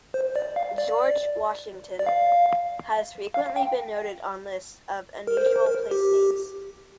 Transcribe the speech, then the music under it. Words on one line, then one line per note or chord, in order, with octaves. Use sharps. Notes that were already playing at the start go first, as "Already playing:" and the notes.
George, Washington has frequently been noted on lists of unusual place names.
C5
D5
F5
D5
D5
F5
F5
G5
A#4
C5
A#4
C5
A#4
G4